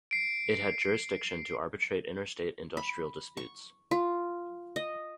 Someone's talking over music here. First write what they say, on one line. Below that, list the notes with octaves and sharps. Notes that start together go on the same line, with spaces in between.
It had jurisdiction to arbitrate interstate industrial disputes.
C7 D7
B5
C#6
F4
D#5